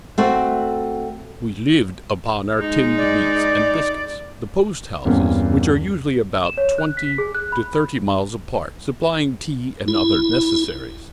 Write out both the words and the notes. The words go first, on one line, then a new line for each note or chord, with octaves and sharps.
We lived upon our tinned meats and biscuits, the post-houses--which are usually about twenty to thirty miles apart--supplying tea and other necessaries.
A3 C4 F#4
G#3 D#4
D5
E2 G2 A#3 C4 C#4
E7
C#5
F#6
B6
G#4
F#6
B5
E4